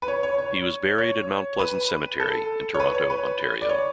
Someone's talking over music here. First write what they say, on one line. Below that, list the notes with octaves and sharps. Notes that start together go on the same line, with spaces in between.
He was buried at Mount Pleasant Cemetery in Toronto, Ontario.
B4
C#5
C#5
C#5
C#5
B4
A4
C#5
B4
C#5
B4
D5
C#5